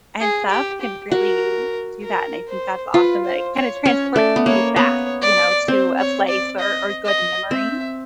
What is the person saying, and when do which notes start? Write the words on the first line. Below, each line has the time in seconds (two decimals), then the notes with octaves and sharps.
and stuff can really do that, and I think that's awesome that it, kinda, transports you back, you know, to a place or or good memories.
0.20 G#4
0.50 G4
0.81 G4
1.11 F#4 A#4
2.02 A#4
2.48 C5
2.93 F4 B4
3.25 C5
3.55 C#5
3.85 C#4 C#5
4.16 A3 D5
4.36 B3
4.46 A#3 C#5
4.76 B3 C#5
5.22 D5
5.68 C4 C5
5.98 C#5
6.28 D5
6.59 D#5
7.05 D#5
7.51 C4 E5